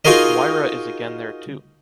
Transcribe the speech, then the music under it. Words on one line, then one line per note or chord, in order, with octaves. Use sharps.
Moira is again there too.
D#4 F4 F#4 G#4 A#4 D#5